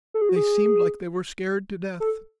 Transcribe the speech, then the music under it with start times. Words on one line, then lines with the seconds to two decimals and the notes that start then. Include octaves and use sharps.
They seemed like they were scared to death.
0.14 A4
0.21 G#4
0.29 F#4
0.36 G#4
2.00 A4